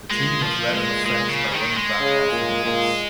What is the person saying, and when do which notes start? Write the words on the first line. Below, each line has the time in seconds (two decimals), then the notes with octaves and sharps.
The team was led on offense by running back Anthony Hicks.
0.11 A#2 G#3
0.42 F3
0.59 A#2
0.74 G#3
1.06 A#2 G#3
1.30 C#3
1.54 D#3
1.76 G#3
2.01 C#3
2.32 A#2
2.64 A#2